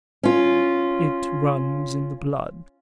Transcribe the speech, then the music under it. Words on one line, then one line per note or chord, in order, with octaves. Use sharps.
It runs in the blood.
C#4 F4